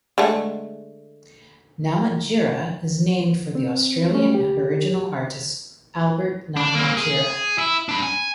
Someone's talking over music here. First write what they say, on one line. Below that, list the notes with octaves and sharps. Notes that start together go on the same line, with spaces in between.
Namatjira is named for the Australian aboriginal artist Albert Namatjira.
D3 G#3 A3
C4
A3 C#4
G4
D4
A#3 C4
G#4
E4
D4 B5
G#5